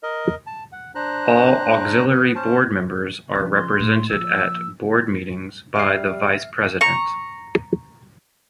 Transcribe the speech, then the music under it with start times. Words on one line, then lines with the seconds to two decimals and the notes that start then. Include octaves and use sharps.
All auxiliary board members are represented at Board Meetings by the Vice President.
0.03 A#4 D#5
0.47 A5
0.72 F#5
0.95 D4 C5 A#5 F#6
2.10 B3 B4
2.35 C#4 C5 A5
3.35 C#3 F3 B4
3.52 C6
3.80 A2
4.09 F3 A#3 E6
5.75 G3 E5 F6 C7
6.81 A#5 C#6